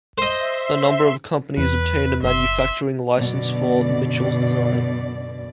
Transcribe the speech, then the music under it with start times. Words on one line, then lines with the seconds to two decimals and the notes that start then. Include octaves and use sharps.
A number of companies obtained a manufacturing licence for Michell's design.
0.18 C5 D#5 E5 C6
1.58 E2 B4
2.23 F#1 E5 C6
3.17 F#2 B2 D3 D5